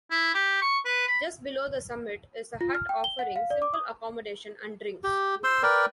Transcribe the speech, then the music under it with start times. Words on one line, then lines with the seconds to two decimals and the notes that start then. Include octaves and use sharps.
Just below the summit is a hut offering simple accommodation and drinks.
0.11 E4
0.34 G4
0.61 C#6
0.85 B4
1.08 B5
2.61 F4
2.75 F6
2.89 G5
3.04 G7
3.19 F#5
3.36 F5
3.50 D5
3.62 D6
3.74 D#6
5.04 G4
5.44 C5 C6 E6
5.63 A#4 B4 D5 G5